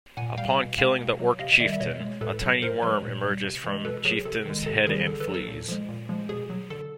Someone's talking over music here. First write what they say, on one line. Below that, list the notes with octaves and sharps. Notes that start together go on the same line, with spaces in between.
Upon killing the Orc chieftain, a tiny worm emerges from chieftain's head and flees.
A#2 F#5 G#5
G3 F5 G5
B2
G#3 F5 G5
B2
F#3
C3 D#5 F5
D#3 G3 D5 E5
E5
B2 C#5 D#5
G#3
A2 A4 B4
F#3
A2 A#4 C5
F3 G#3 B4 C#5
A#2
G3
C3
E3 G#3
B2 A4 B4
F#3 G#4 A#4
C3 A4
D#3 G#3
C3 A4
D#3 G3 G#4 A#4
D3 A4
A4 B4
F#3
A4
A#2
F3 G#3
A#2
F3 G#3
B2 G#4
F#3
D3 A4